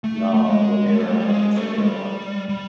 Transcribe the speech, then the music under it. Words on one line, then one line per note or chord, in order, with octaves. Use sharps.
No, the newer ones, the newer ones.
A3
A3
G#3
G#3
A3
G3
G#3
A3
G#3
G3
G3